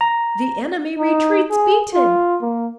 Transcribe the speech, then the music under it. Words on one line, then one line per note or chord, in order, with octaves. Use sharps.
The enemy retreats beaten!
A#5
D#4
G#4
F4
A#3